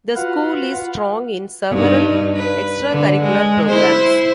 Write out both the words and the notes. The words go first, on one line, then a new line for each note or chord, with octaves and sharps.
The school is strong in several extracurricular programs.
F4 F#4 B4 F5 F#5
G2 D#4
B4
D3
G#3
E4 C5